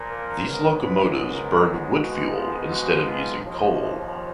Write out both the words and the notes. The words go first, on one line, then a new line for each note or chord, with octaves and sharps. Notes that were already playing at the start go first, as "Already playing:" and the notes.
These locomotives burned wood fuel instead of using coal.
Already playing: A#2 F3 A#3
A#4
G#2 F#3 B3 A#4
B4
A#4
G#2 F3 G#3 B3 F#4
F4
F#4
F4
D#2 C#3 F3